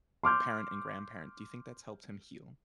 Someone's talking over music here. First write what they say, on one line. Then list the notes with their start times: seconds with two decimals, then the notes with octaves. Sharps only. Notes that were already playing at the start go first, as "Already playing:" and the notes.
parent and grandparent, do you think that's helped him heal?
0.23 C6 D6 F6 G6